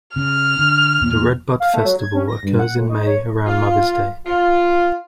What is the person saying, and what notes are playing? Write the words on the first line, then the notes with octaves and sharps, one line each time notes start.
The Redbud Festival occurs in May around Mother's Day.
C#3 F6
D3
E2 A#2
F5
A3
F#3
G#6
C#4
A#6
G2
F#5
A2
D#4
C#5
F4
F4